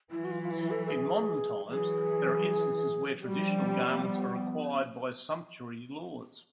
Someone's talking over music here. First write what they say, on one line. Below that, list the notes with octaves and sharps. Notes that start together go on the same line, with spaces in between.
In modern times, there are instances where traditional garments are required by sumptuary laws.
E3 F#3 E4
F#4
F4
F4
E4
A4
A4
G#4
E3 F#3 G#4
G4
F3 G3 F#4
D4
C#4
A#3
B3